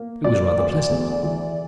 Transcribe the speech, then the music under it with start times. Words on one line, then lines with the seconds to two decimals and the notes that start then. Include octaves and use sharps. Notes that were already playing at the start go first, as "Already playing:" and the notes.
It was rather pleasant.
Already playing: A#3
0.24 F#3 D5
0.58 D2
0.90 E2
1.23 E3